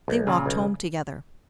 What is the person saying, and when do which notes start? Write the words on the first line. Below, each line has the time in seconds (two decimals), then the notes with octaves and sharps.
They walked home together.
0.08 B1
0.27 A#2 C#3
0.46 B1